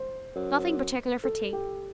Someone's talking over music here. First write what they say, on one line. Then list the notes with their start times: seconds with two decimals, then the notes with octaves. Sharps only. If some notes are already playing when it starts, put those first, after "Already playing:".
Nothing pertikeler for tea.
Already playing: C5
0.36 F#2
1.24 A4
1.53 G4